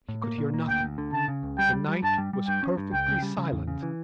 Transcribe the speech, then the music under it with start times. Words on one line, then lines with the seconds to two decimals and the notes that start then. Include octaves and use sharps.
He could hear nothing: the night was perfectly silent.
0.09 A2
0.24 A#3
0.38 A#2
0.54 A#3
0.68 D2 G5
0.83 D2
0.98 D3
1.13 C#3 A5
1.28 C#3
1.43 C#2
1.58 G3 G5
1.73 G3
1.88 G3
2.03 G2 A5
2.18 G3
2.33 G3
2.48 G2 G5
2.63 C#4
2.77 G2
2.93 C#2 G5
3.08 C#3
3.23 G3
3.38 C#3
3.52 E2
3.68 C#3
3.83 E3